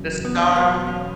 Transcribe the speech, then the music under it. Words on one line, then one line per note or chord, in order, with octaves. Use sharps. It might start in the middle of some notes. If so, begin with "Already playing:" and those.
The star
Already playing: E2 C#3 F#3
B3
D4
C#4
E2 B2 F#3 B3
C#4